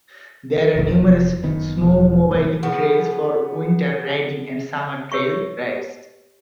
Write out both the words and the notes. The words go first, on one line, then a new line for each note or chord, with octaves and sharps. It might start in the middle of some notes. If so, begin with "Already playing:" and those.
There are numerous snowmobiling trails for winter riding and summer trail rides.
E1 A#1 E2
F1
F#1 D#3 B3
E1 E2
C2 A2
C#3 F3 B3
G4 B4 C#5 E5 C#6